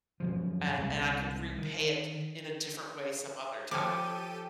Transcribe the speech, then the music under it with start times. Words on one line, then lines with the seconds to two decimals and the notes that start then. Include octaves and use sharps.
and and I could repay it in a different way some other time.
0.20 F#2 B2 F3
0.78 C2 G#3
1.58 D#3
3.71 F3 G4 A4 C#5 G5 G#5 D6 D#7